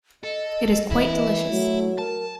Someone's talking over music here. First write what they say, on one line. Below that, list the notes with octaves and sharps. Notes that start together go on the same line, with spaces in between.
It is quite delicious!
A4 D#5
E3 E4
F#3 A3
A#4 A5